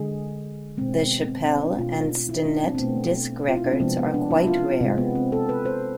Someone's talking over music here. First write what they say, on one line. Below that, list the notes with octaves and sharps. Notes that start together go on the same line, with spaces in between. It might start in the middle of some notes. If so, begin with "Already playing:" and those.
The Chappelle and Stinnette disc records are quite rare.
Already playing: D3 G#3 G#4
B2 G#3 C4
B3
C4
C4
D4
B2 A3 F4
E4
D4
C4
C4
B2 A3 B3
F4
E4
D4
C4
C3 F3 G#3 B3
B3
D4
E4
F4
C3 G#3 C4
B3
C4
A4
B4
C5